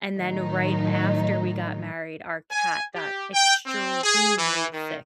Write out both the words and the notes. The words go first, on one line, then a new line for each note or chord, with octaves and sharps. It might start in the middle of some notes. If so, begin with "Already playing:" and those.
And then right after we got married, our cat got extremely sick.
A2 D#3 F#3 D#4
G#5
G4
G5
C4
G#4
E3
D#3